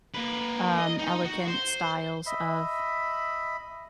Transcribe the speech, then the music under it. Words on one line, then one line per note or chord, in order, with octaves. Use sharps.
um, elegant styles of
A#3 B4
D#5
D#4
F#4
C5
D#5 E5 B5